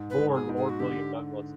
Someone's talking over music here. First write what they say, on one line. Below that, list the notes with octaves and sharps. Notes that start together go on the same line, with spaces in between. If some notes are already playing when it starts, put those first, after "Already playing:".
Born Lord William Douglas.
Already playing: G#2
B4
G#2
G#4
G#2
G#4
F#4
D3 G4